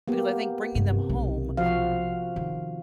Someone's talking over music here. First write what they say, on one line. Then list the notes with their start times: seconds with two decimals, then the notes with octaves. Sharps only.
Because I think bringing them home
0.08 A#3 B3 G4
0.75 G2 C3
1.09 B1 D4
1.57 F3 F#4 F5
2.36 D#3